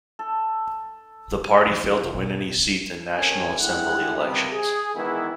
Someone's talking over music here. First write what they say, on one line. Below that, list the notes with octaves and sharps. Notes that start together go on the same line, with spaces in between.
The party failed to win any seat in National Assembly elections.
A4
E3
E4
F1
B2
D#2 D#3 C#4 A4 G#5
G#3 A3 D4 E4 G4 F#5
C#2 C3 D#3 G3 A#3 B3
G#4
D#3 E3 G#3 B3 E4